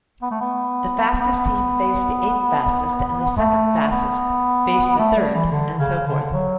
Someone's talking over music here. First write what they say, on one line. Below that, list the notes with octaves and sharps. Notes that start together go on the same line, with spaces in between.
The fastest team faced the eighth-fastest, the second-fastest faced the third, and so forth.
B3
A3
B3
B3
A3
B3
A3
G3
E3
D3
C#3
D3
F#3